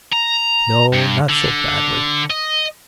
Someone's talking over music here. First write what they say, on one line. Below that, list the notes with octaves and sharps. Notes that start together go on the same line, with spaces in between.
'No, not so badly.
A#5
G2
D3
D#5